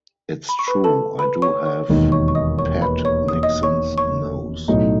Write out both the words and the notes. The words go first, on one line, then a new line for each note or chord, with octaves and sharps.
It's true - I do have Pat Nixon's nose.
B5
C#6
B4 B5
A4 A5
B4 B5
C#5 C#6
C#5 C#6
E1 D#2 D#3
C#5 C#6
C#6
D#5 D#6
C#5 C#6
B4 B5
C#5 C#6
D#6
D#5 D#6
C#5 C#6
C#5 C#6
B1 A2 F#3 A3 D#4